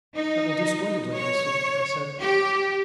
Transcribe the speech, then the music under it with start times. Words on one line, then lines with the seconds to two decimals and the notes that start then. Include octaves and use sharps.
"That will do splendidly, Elsie," I said.
0.17 D#4
1.16 C#5
2.22 G4